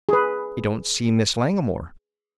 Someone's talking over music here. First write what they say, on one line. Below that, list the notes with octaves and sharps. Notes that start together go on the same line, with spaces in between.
"I don't see Miss Langmore."
G#4 B4